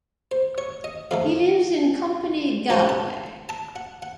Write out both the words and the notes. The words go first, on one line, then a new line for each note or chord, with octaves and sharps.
He lives in Company Galway.
C5
C#5
D#5
F2 D#3 A3 F5
A#2 F3 A#3 C#4 A5
F#5
A5
A5
F#5
F#5